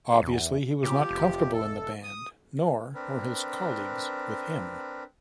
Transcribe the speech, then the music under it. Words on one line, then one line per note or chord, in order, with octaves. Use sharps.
Obviously he was not comfortable in the band, nor were his colleagues with him.
E2
C#3 F3 G4
F1
A4
D#6
C4 D4 A#4 B4